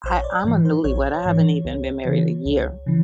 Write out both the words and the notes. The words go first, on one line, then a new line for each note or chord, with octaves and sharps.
I I'm a newlywed, I haven't even been married a year,
A#1 C5
C#5
D5
G#2 E3
C5
A#1 C#5
G#2 E3
C#2
C#3 E3
C#2
C#3 E3